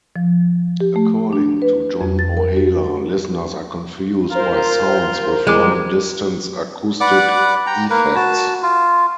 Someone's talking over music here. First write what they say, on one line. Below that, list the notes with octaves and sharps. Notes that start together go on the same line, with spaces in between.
According to John Ohala, listeners are confused by sounds with long-distance acoustic effects.
F3
G4
A3
D4
B4
F2
A6
A#4
F#4
F4 A#4 C5
G3 G#3 D6
B4 D5 F#5 D6
G5 A#5
A#3 A#4 B4
F#4 A5
F4